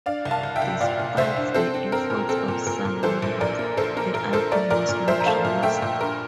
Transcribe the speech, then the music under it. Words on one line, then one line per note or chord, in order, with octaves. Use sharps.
Despite the efforts of some members, the album was not released.
D4 D5 F5
C2
F5 A5
C2
E5 G5
C2
A#2 D5 F5
A#2
C2 C5 E5
D4
C4 A4 C5
C4
C4 A#4
A#2
C4 A4
A#2
A#2 A#4
A#2
E3 A4 C5
A#1
A#1 A#4 D5
A#3
A#1 A4 C5
A#3 A#4
A#1 A#4
A#1 A4 C5
A3 A#4 D5
A#2 A#4 D5
A#2
F3 C5 E5
A#5
A3 F5 A5
A#2
A3 E5 G5
A#2
G2 A#4